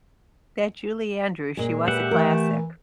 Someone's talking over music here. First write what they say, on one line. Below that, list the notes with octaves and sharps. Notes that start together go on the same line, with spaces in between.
That Julie Andrews, she was a classic.
A#2 G#3
G4 B4 E5 F#5
E3 A3 A#4